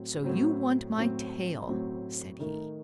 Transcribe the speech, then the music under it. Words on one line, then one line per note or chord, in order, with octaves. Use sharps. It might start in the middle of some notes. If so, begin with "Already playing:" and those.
"So you want my tail?" said he.
Already playing: A2 F#3 C4
A2 F#3 C4
A2 F#3 C4
A2 F#3 C4
D#3 A3 D#4